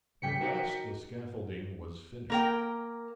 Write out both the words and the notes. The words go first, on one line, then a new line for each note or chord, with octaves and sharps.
At last the scaffolding was finished.
C#2 C#3 G3 G5 B6 C#7
D#4 F#4 A#4
A#3 A#4 G5